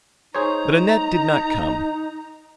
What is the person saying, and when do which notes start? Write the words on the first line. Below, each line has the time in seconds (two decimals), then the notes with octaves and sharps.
But Annette did not come.
0.35 D#4 G#4 C5 C#5 A#5